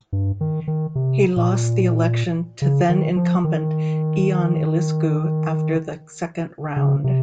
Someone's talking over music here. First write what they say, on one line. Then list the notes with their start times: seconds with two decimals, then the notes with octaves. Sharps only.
He lost the election to then incumbent Ion Iliescu after the second round.
0.13 G2
0.41 D#3
0.68 D#3
0.95 C3
1.36 A#2
2.62 C#3
2.89 D#3
3.16 F3
3.44 D#3
6.76 C#3
7.04 C3